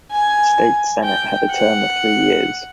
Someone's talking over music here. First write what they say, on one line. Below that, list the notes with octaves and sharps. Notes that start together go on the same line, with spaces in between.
The State Senate had a term of three years.
G#5
G5
F#5